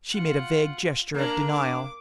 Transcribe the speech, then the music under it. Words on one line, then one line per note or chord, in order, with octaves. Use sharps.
She made a vague gesture of denial.
F4 F#5
A#3 D4 A#4 A#5
D6